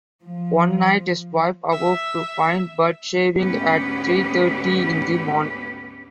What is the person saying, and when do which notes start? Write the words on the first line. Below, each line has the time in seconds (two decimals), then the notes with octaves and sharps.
One night, his wife awoke to find Budd shaving at three-thirty in the morning.
0.23 F3
1.72 E5
3.37 D2 G#2 B3 C#4 G4 B4